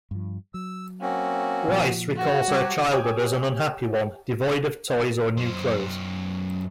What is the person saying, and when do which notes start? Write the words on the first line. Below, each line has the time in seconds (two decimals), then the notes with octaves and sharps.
Reis recalls her childhood as an unhappy one devoid of toys or new clothes.
0.11 G2 F3
0.54 F#3 E6
1.01 A#3 C4 C#4 F#4
1.68 A#2 F3
2.16 F#2 F#4
2.48 F#3 G3 G4 C#5
2.92 G4 C#5 G5 G#5 D6 D#6
5.37 F#2 C5